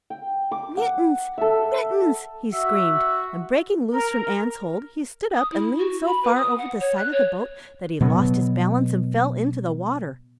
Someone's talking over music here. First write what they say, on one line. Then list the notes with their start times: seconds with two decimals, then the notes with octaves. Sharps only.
"Mittens! Mittens!" he screamed, and breaking loose from Ann's hold, he stood up and leaned so far over the side of the boat that he lost his balance and fell into the water.
0.10 G5
0.52 D6
0.77 F#5
1.38 A4 E5
2.53 F#4 E5
3.93 A#4
5.36 D#6
5.51 E4
5.79 F#4
6.06 B5
6.23 B4
6.36 D#6
6.58 F#5
6.80 C#5
6.97 F#6
7.12 C#5
8.01 B2 F#3 B3